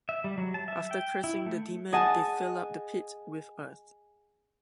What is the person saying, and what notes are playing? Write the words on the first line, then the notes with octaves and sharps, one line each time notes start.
After cursing the demon, they fill up the pit with earth.
E5
G3
F#3
A5
E5
G5
E4
A3
G#4 D#5 F#5 G#5 A5